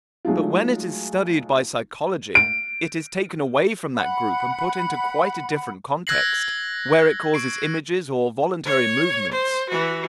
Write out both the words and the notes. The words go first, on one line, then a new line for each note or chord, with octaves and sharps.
But when it is studied by psychology, it is taken away from that group and put into quite a different context, where it causes images or voluntary movements.
F#3 G#3 A3 D#4 F4
D7
F#5 B5
E6 F#6 G#6 A#6 C7 F#7
C#6 C7 D7
C#5
C5
E3 F#4